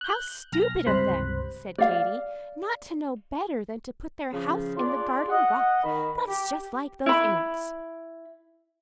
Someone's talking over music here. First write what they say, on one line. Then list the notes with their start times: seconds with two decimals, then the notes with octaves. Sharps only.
"How stupid of them," said Katy, "not to know better than to put their house in the garden-walk; that's just like those Ants."
0.01 F#6 G6
0.52 B1 F6 A#6
0.86 C#2 G2 C3 C5 B5 F#6
1.78 D5 F5
4.32 C#3 F3
4.77 D4 F4 G#4 D5
5.28 D#5 F#5
5.83 D#3 B5
6.26 G4
7.06 E4 B5